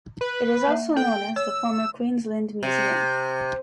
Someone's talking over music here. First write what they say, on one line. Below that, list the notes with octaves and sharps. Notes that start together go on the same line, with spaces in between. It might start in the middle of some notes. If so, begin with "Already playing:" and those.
It is also known as the former Queensland Museum.
B4
A#3 E5
A4 G5
C#5 E6
C3